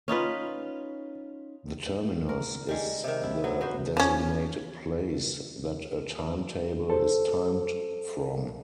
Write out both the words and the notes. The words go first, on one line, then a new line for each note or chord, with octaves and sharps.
The terminus is the designated place that a timetable is timed from.
C#4 D#4 F4 B4
A#4
G3 G#3
C3 D#3
E4
F#3 B3
B3 F#4 C5
F3 C#4
A4 C5